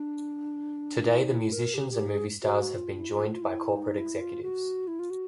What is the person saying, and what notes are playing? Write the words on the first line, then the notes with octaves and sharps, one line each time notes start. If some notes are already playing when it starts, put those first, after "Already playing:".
Today the musicians and movie stars have been joined by corporate executives.
Already playing: D4
E4
D#4
E4
A#4
G4
G4
G#4
F#4
F4
E4
F4
F4
E4
D#4
E4
F4
F#4
E4
F4
F#4